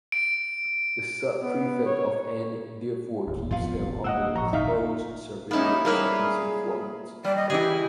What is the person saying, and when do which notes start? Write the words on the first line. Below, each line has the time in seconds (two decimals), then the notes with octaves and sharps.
The sub-prefect of N therefore keeps them under the close surveillance of his informants.
0.12 D7
1.42 B3
1.85 C#5
3.27 E1 A1 D#2
3.51 F2 B3 F4 F5
4.04 A#2 A#3 D#5 F#5 E6
4.36 G1 A2 F3 D#5 A#5 C#6
4.53 F1 D2 G2 D#4 E5 F5
5.51 A#3 B3 C#4 D#4 E4
5.85 G3 A#3 E4 G#4 A#4 B4 C#5
7.24 G3 D5
7.36 D#5
7.50 C#3 E3 E4 G4 G#4